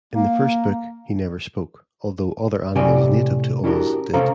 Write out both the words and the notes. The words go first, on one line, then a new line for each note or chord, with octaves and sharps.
In the first book, he never spoke, although other animals, native to Oz, did.
A#3
A2 C3 C#4 G4 D5 G#5
C#4 D4 E4 F#4 G4 A#4
C3 C#4 A4 C5 F5 A#5